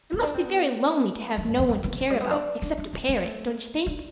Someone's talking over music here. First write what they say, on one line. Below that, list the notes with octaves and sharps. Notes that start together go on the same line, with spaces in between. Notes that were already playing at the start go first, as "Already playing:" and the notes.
It must be very lonely to have no one to care about except a parrot, don't you think?
B3
D4
C4
B3
E3
G2
E2
F2
E3
F3
G3
B3
D4
D4
D4
C4
B3
A3
D4